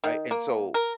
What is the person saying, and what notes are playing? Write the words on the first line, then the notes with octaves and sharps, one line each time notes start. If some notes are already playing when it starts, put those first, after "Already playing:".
I and so,
D#3
A#3
A#4